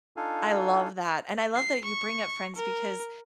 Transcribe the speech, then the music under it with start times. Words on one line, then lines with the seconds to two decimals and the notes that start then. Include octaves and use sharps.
I love that and I love that you bring up friends because
0.17 D4 D#4 F4 A4 F5 G#5
1.56 C7
1.85 C#6
2.56 A#4